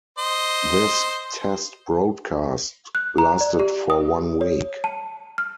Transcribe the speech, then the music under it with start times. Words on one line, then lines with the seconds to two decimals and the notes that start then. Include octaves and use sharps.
This test broadcast lasted for one week.
0.18 C5 D#5
2.95 F#6
3.18 A#5
3.41 D5
3.60 G4
3.90 D#6
4.41 C#5
4.84 A5
5.38 F6